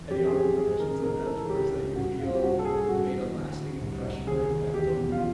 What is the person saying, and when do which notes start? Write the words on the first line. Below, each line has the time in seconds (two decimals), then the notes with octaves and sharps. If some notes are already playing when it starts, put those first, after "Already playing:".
Any honorable mentions of mentors that you feel made a lasting impression or impact on you?
Already playing: E2
0.10 F2 G4
0.27 G#4
0.34 F2 G4
0.57 G#2 G#4
0.80 D#3 A#4
1.03 G#2 A#4
1.26 E3 A4
1.49 C#2 G4
1.73 C#2
1.95 C2 F#4
2.19 C2 F4
2.35 G4
2.42 G2 F#4
2.59 A4
2.65 G2 G#4
2.89 G2 F#4
3.11 E3
3.35 D2
3.58 D2
3.81 C2
4.04 C2
4.27 D#2 G#4
4.51 D#2
4.74 E2 G4
4.97 B2
5.12 F4